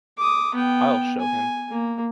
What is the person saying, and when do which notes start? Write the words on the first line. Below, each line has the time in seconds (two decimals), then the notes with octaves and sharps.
I’ll show him.
0.17 D6 D#6
0.55 B3 G5
1.19 G#5
1.70 A#3